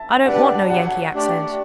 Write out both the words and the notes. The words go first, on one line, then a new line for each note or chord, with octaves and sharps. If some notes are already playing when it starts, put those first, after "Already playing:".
I don't want no Yankee accent.
Already playing: E5 A5
D4 G4 B4 D5 F#5
F#3 F#5
A3 D4 G4 D5